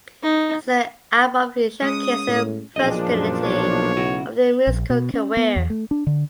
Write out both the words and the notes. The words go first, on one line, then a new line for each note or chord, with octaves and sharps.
As an album it showcases versatility of their musical career.
D#4
G#3 C#4 D#6
A2
B1 A#2 F3 D4 G#4 D#5
F#2
B1 C#5
C#3 E4 F#4
A#1
B2
C#4
B3
E2
A3
D4
D3